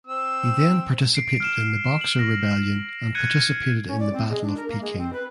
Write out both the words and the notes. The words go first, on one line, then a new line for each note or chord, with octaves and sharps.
He then participated in the Boxer Rebellion and participated in the Battle of Peking.
C4 E6
C7 D7
F6 E7
F#7
A#6
F#6 G#6 C#7 D#7
C#4
D5
C4
G#3
D4
A#4
A#3
G#3
C4
B4